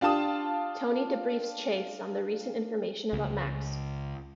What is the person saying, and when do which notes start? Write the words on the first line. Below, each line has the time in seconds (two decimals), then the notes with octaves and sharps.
Tony debriefs Chase on the recent information about Max.
0.01 D4 F4 G4 A5 D#6
3.13 C#2